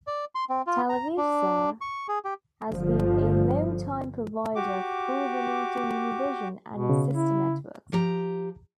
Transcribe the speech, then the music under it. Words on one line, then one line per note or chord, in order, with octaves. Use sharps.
Televisa has been a longtime provider of programming to Univision and its sister networks.
D5
C6
C4
F4
A#5
D4
C#6
G#4
G4
G1 D3 F3
F#4 G4 D6
B2
C#3
E4
F3 G4 A#5